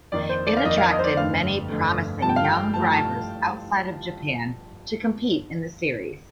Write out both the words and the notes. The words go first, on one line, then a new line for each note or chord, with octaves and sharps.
It attracted many promising young drivers outside of Japan to compete in the series.
F2 D#3 A#3 D5
C5
D5
F5
F2 D#3 A#3 D#5
F5
D#5
C5
D5
G1 F2 D3 A3 F5
G1 F2 D3 A3
G2 F3 A3 A5
G5
F5
G5
G2 F3 A3 A5
G5
A5